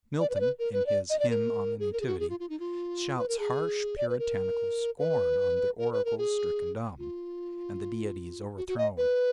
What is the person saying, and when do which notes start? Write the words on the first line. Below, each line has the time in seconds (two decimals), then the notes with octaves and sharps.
Milton in his Hymn on the Nativity shouts harsh Puritanical scorn on the oracles stricken dumb, and the deities overthrown.
0.20 D5
0.30 B4
0.35 D5
0.40 B4
0.59 A#4
0.73 B4
0.86 D5
1.10 D#5
1.19 D5
1.30 A#4
1.80 G#4
1.93 A#4
2.01 G#4
2.06 F#4
2.20 G#4
2.30 F4
2.40 F4
2.50 D#4
2.60 F4
3.18 B4
3.28 A#4
3.39 G#4
3.98 D5
4.09 B4
4.19 A#4
4.99 B4
5.78 A#4
5.92 B4
6.05 A#4
6.18 G#4
6.99 F4
8.57 F#4
8.68 F#4
8.78 D#5
8.97 B4